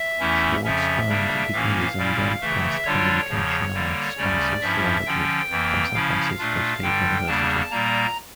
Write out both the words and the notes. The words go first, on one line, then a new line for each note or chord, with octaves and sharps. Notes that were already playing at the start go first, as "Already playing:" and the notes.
Schwartz earned degrees in Broadcast Communication Arts and Sociology from San Francisco State University.
Already playing: E5
E2 E3 A3 C#4 E4
F2 C#3 F3 C#4 E5
C#3 G3 A#3 D4
A2 E3 A#3 C#4 F5
A#2 G3 C#4 E4
C#3 E3 A3 E5
D3 G3 D4 F4 C#5
E2 C#3 F3
D3 G3 A#3
D2 C#3 G3 C#4 D5
G2 F3 C#4 E4 E5
D3 F3 C#4 G5
F2 E3 A#3
C#3 F3 C#4 E4 F5
A#2 A3 D4 F4
G2 D3 G3 G5
E2 C#3 G3 A#3 D4 A5
A#2 G3 A#3 A#5